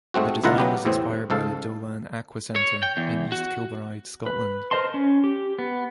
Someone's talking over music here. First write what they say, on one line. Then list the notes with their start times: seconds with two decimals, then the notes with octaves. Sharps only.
The design was inspired by the Dollan Aqua Centre in East Kilbride, Scotland.
0.14 G#2 A3 C4 F#4
0.44 C#2 D#3 E4 F4 F#5 A#5
0.58 F#3 B3 G4
0.85 E2 A2 C3 C4
1.30 C#2 G#2 A4 F5
2.56 C#5
2.83 G5
2.97 E2
3.32 F#4
4.26 B4
4.71 A#4 C5 D#5 A5 C6
4.94 C#4
5.24 G4
5.59 B3